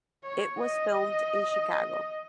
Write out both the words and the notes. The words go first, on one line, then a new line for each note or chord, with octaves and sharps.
It was filmed in Chicago.
C#5
D#5